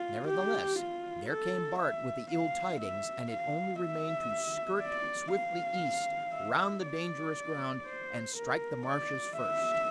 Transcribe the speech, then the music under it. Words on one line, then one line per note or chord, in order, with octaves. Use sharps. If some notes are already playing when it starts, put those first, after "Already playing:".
Nevertheless, there came Bart with the ill tidings, and it only remained to skirt swiftly east, round the dangerous ground, and strike the marshes first.
Already playing: F4
G4
F4
A4
E5
F5
E5
F5
E5
D5
F5
E5
D5
C5
A#4
D5
E5